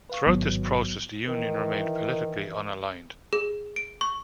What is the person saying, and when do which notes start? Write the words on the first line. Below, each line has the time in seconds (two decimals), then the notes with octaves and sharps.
Throughout this process the Union remained politically unaligned.
0.10 B4 F5 C#6
0.26 A1 G#2 D#3 F#3 B3
1.29 D#3 E3
3.33 G#4
3.76 D7
4.01 C#6